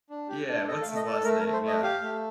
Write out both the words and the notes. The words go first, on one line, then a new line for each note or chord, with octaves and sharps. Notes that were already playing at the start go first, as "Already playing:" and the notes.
yeah, what's his last name? Yeah.
D4
G4
D4
A4 D#5
F5
A3
D#5
A4 D5
A3 A#4
A#4
A3
C5
A3 D#5
G4 F5
A3